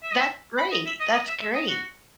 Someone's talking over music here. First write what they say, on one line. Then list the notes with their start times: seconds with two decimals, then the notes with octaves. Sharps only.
That great, that's great.
0.03 E5
0.12 D#5
0.19 E5
0.58 B5
0.72 D#5
0.86 E5
1.00 D#5
1.14 D#5
1.28 E5
1.41 E5
1.55 D#5
1.69 F#4